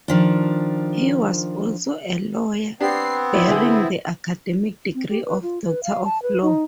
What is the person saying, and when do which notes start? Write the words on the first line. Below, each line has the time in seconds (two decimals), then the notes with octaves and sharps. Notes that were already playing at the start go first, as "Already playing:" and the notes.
He was also a lawyer, bearing the academic degree of Doctor of Law.
0.08 D#3 F3 D4
2.81 B3 C4 D4 G4 C7
3.34 E4 C#5 D5
3.48 D3 G#4
4.95 C4
5.09 G4
5.25 B4
5.42 F4
5.67 B4
5.84 F5
6.04 A5
6.22 B4
6.42 D#4